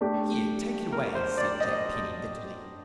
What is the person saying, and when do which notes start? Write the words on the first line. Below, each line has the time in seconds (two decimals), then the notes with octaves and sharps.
"Here, take it away!" said Jack Penny bitterly.
0.01 A3 D4 G4
0.92 A#4
1.15 C5
1.38 D5
1.60 D#5